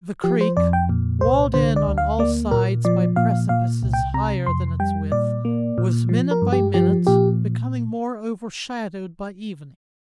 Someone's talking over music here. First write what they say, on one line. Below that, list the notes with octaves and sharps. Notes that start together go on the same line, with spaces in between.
The creek, walled in on all sides by precipices higher than its width, was minute by minute becoming more overshadowed by evening.
F3 G4
C5
F2 D5
G5
A#2
C2 C5
D3 C5
D5
D2
F5
A#3 D5
A#2 A#4
F3 D5
A#2 F5
A#2 F5
C2
G5
C3 A#5
F2 C6
G3 G5
A#2 D5
A#3
A#2
F3
A#4
G2
G4
F3 G4
A#2 G4